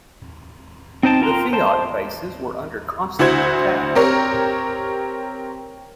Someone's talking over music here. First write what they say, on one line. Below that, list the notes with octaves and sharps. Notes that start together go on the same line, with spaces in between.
The Fiat bases were under constant attack.
C4 D#4 C5 G5 A5
F4 A#4 G5 A#5 C6
C5 A5 C6
D2 E4 F#4 C5 G#6
C4 G4 A#4 C#5